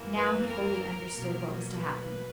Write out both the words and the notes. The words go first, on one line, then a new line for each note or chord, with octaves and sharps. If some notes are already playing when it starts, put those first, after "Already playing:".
Now he fully understood what was to happen.
Already playing: F#2 E3 A#3
B4
A#4
B2 F#3 A#3
B4